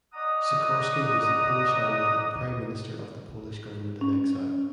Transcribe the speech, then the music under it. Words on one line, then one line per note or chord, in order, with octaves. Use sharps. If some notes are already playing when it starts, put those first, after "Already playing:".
Sikorski was the Polish Army and Prime Minister of the Polish government in exile.
D5 D#5 F#5 A#5 D#6
C#4